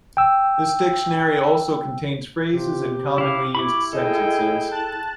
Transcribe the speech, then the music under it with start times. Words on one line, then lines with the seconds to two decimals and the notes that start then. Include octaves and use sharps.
This dictionary also contains phrases and commonly used sentences.
0.17 G5 E6
2.53 C3 F4 G4
3.18 E4 F5 D6
3.55 E4 B5 C#6 D6
3.93 G#4 A4 D#5 G5
4.71 A5 F#6 A6